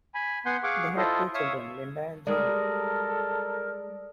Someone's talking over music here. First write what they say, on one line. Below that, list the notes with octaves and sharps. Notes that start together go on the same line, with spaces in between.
They had two children, Linda and Julie.
G#5 B5
B3 F#5 G#5 C6 G6
G#4 F5 F#5 C#6 D6
E4 F4 A4 C5 D#5
C#5 E5 F5 D#6 E6
G3 G#3 A4 A#4 D5 D#6